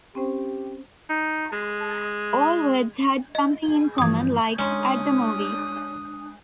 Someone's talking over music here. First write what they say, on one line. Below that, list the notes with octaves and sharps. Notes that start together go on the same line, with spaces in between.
All words had something in common, like "At the Movies".
C4 C#4 G4 C5
D#4
G#3
D#5
G#4
G2 E3 F3 D#6 G#6
G#3 C#4 D4 A#5 C6 D#6